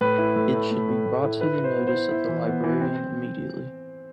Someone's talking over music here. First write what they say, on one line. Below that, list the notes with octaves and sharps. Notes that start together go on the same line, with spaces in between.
It should be brought to the notice of the Librarian immediately.
A2 B4
E4
A2
A3
A3
A2
A2
E4
E4 B4
E4
C5
B3
C5
E4
E4
E3
B3
E3
C4